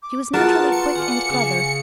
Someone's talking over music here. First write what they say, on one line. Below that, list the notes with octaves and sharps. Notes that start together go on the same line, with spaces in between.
She was naturally quick and clever.
D6
B3 F4 F#4 G#4 A#4 A5
C6 C#7
D5 F5 F#5 G#5
C#3 A5